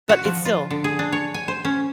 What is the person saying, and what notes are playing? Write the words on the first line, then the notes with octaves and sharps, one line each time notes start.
but it's still
F#4
F3
F4
D3
G#4
D4
C#5
G#5
C5
C#4